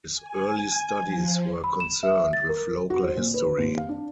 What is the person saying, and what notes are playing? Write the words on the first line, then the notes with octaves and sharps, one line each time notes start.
His early studies were concerned with local history.
G#5
F3
B5
E7
E5
A6
A#4
F#4
C5
A#2
B4
D#2
F5
D4